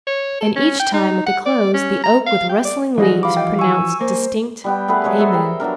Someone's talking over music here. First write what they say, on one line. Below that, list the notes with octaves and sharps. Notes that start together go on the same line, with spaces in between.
And each time at the close the oak with rustling leaves pronounced distinct Amen!
C#5
A4
C#4
G5
D#4
F#5
D5
C#4
A#5
F5
G5
D5
E3 F3 G3 F#4 G#4 D#5
F5 B5 D6
D#5 G5
G#5 C#6 E6
A#3 C5
G3 B3 G5
A3 B3 G#4 B4
F#3 G#3 B4 C#5
G#4 A4 E5 C6
A#4 C5 G5
F#3 B3 D4 A#4